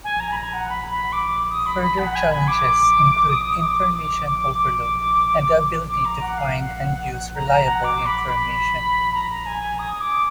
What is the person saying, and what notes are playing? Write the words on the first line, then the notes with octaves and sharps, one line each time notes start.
Further challenges include information overload and the ability to find and use reliable information.
G#5
A#5
B5
A#5
F#5
B5
B5
D6
D#6
B5
B5
F#5
F#5
G#5
B5
D6
D#6
D6
D6
D6
D6
D6
A#5
F#5
F5
F#5
A#5
A#5
F#5
D6
B5
B5
A#5
G#5
D#6
D6